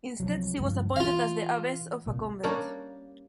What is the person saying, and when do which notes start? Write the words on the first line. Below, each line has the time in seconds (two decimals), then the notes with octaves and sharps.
Instead she was appointed as the abbess of a convent.
0.20 C2 F3 F#3
0.58 C#2 G2 F3
0.96 E3 F4 F5
2.06 C2 A#2
2.43 G3 A#3 C#4 D4 G4 A#4